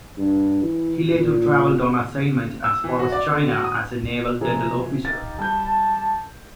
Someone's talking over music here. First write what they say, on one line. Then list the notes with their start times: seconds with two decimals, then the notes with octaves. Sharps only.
He later traveled on assignment as far as China as a naval dental officer.
0.18 G2
0.63 E3
1.12 A#2
2.64 E6
2.84 E3
2.99 F#4
3.12 D5
3.32 D3
3.48 F#4
3.64 D#6
4.41 C3 F3 G#4 A#5
5.05 D#4 G4 F5 A6
5.39 G3 A5 G6